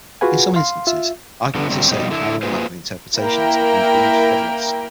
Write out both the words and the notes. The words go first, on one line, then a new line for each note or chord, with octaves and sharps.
In some instances, arguments asserting highly unlikely interpretations have been deemed frivolous.
F4 F#4 G#4 B4 F#5 G#5
F5 C6
F4 E5
D3 G3 B3
D3 F#3 G3 C4
B2 G3 D#4
D3 E4
A#3 F4 G#4 B4 C5
A#3 E4 A#4 G5